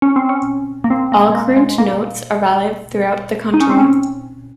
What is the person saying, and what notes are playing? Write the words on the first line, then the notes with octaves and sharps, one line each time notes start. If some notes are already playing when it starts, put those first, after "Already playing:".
All current notes are valid throughout the country.
C#4
C4
C#4
A#3
C4
A#3
G#3
A#3
G#3
A#3
D#4
C#4
C4
C#4